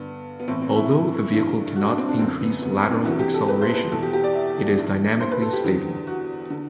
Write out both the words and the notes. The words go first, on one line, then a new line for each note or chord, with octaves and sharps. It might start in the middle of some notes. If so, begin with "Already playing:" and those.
Although the vehicle cannot increase lateral acceleration, it is dynamically stable.
Already playing: G2 D3 B3
B3
A2 E3 C4
C4
E4
G2 E3
F#4
D4
C4
D4
F#2 D3 C4
B3
B3
C4
D4
E2 C3 E3 F#4
G4
A4
B4
C5
B4
E2 B2 A4
G4
G4
D5
E5
G2 E3
C5
B4
A4
G4
E2 D3
F#4
D3